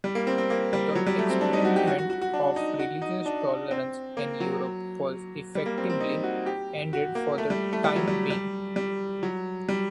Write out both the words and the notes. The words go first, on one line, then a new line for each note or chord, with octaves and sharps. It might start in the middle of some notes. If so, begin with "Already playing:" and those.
The experiment of religious tolerance in Europe was effectively ended for the time being.
G3
A#3
C4
C4
A#3
G3
F#3
G3
A3
C4
D4
D#4
F#4
G4
F#4
F#4
F#4
F#4
D4
D#4
F#4
D#4
D4
C4
A#3
F#3
G3
A#3
C4
C4
D#4
F#4
G4
F#4
A#3
A3
G3
A3
G3
F#3
G3
G3
G3
F#3
G3